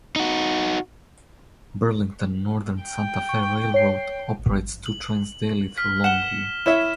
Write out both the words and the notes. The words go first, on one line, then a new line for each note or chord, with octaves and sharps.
Burlington Northern Santa Fe Railroad operates two trains daily through Longview.
D#4 F#4
G5
C#6
C#5 C7
F#7
F6 B6
F#5 E7 G7
E4 C#5 E5 E7